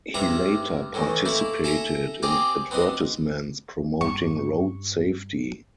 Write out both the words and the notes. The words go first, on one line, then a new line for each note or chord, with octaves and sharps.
He later participated in advertisements promoting road safety.
G2 C3 G3 E5 A#5
A2 D#3 E3
A3 A#3 E4
A4 E5 G#5 A#5
C4 G4 G#4 A#4 D5
B3 C4 D4 D#5
G2 C#6